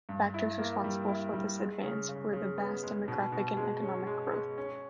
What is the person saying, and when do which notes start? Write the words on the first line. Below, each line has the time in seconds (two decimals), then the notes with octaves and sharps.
Factors responsible for this advance were the vast demographic and economic growth.
0.09 G2
0.34 E4
0.59 A#3
0.84 G3
1.08 E4
1.34 G3
1.59 G#3
1.83 C#3
2.08 C#3
2.33 C#3
2.58 B3
2.83 G#3
3.08 B2
3.32 B2
3.57 G#3
3.82 C#4
4.07 G#3
4.32 G#3
4.58 C#4